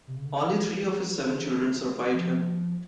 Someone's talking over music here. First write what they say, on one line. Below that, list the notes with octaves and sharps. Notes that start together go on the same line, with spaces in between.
Only three of his seven children survived him.
C3
C#3
D3
D#3
E3
F3
F#3
F3
E3
D#3
D#3
F3